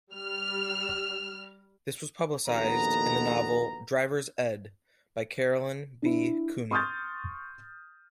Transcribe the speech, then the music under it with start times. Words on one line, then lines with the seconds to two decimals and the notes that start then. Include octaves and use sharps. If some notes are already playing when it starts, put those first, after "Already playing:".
This was publicized in the novel "Driver's Ed" by Caroline B. Cooney.
0.12 G3 F6
2.48 A#1 D#2 B2 B3 A4 A#5
6.02 D4 E4
6.71 C6 C#6 D#6 F6 G6 A6